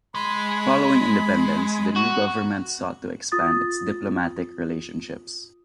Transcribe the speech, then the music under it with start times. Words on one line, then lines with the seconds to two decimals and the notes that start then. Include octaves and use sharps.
Following independence, the new government sought to expand its diplomatic relationships.
0.15 G#3 B5
1.96 F#4
3.32 F4 D#6 A6